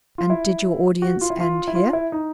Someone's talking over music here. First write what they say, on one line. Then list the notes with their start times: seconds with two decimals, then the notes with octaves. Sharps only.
'And did your audience end here?'
0.18 F4
0.30 E4
1.02 F#4
1.21 F4
1.30 E4
1.40 F4
1.68 E4
1.75 F4
1.93 E4
2.12 D#4